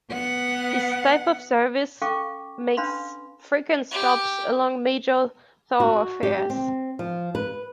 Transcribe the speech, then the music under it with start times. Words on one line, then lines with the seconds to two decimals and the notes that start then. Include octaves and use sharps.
This type of service makes frequent stops along major thoroughfares.
0.12 B3 F#5
2.01 C#4 A4 F5 G5 C#6 D6
2.77 C#4 D4 B4 F5 B5 C6
3.91 G4
5.80 F#4
6.23 G4
6.50 C4
6.99 F3
7.35 B4